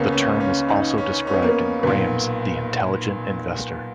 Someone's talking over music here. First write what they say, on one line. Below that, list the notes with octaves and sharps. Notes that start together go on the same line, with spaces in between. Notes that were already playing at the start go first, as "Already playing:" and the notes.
The term is also described in Graham's "The Intelligent Investor".
Already playing: C#2 C#3 A#3 B3 C#4
C#4
C#4
D#4
C#4
C#4
B3
A#3
B3
B1 A#2 B3